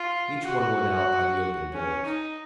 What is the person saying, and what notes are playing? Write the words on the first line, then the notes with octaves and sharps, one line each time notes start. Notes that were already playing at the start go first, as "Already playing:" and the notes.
Each one went out by the open doors.
Already playing: F4
F#4
C#4
D#4